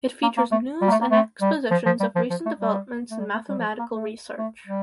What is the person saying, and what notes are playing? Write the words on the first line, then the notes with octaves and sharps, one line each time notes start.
It features news and expositions of recent developments in mathematical research.
A#3
A#3
A3
G3
A#3
A3
A#3
A3
G3
F3
F3
G3
F3
F3
A3
G3
A3
G3
A3
G3
F3
A#3
A3
A3
G3